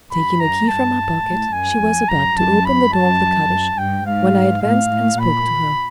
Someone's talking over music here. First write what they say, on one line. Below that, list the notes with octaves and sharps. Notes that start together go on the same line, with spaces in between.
Taking a key from her pocket, she was about to open the door of the cottage, when I advanced and spoke to her.
F#2 B5
A#5
G2 A5
A2
F#2 G#5
F2
F#2 A#5
F#2 A5
B5
F#2 A5
F#2
G2 G5
G#2 F5
A2 F5
A2
A#2 B5